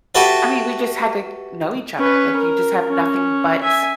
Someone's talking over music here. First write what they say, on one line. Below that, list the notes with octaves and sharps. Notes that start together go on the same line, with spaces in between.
I mean, we just had to know each other. Like, you just have nothing but
F#4 G4 A4 B4 E5
C#4 B4
A#4
C#4
E5 G#5